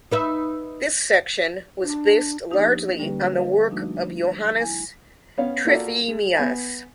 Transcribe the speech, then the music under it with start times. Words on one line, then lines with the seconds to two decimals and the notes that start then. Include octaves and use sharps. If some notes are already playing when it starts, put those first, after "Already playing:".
This section was based largely on the work of Johannes Trithemius.
0.12 D#4 B4 E5
1.82 D4
2.51 F3 A#3 B3 D4 D#4 G4
2.99 D3 G3 A#3 C#4 G4 B4
3.32 B4 D#5 F5
3.69 F3 G3 A3 D4 D#4 F#4
4.60 E4 G#5
5.38 B3 C#4 C#5 F5
5.65 A#3 F4 F#4 A4 D5
6.08 G#3
6.37 B3 G#5